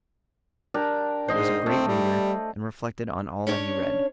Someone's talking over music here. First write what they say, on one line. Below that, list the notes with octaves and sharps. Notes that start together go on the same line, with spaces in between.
He was a great reader, and reflected on all that he read.
D4 G4 A#4
G#2 C5 D#5 C6
A3 C4
G3
C#4 D4 C#5